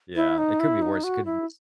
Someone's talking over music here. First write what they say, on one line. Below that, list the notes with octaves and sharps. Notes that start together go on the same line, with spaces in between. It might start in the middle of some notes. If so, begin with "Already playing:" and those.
Yeah, it could be worse, it could be s
E4
D#4
E4
D#4
F#4
E4